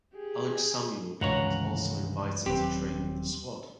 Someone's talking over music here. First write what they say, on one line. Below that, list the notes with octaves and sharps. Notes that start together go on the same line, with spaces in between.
Alex Samuel was also invited to train with the squad.
G4 G#4
C#2 G2 C3 D#3 E3 C#5 F#5 A#5
D#1 F#3 C4 G4 B4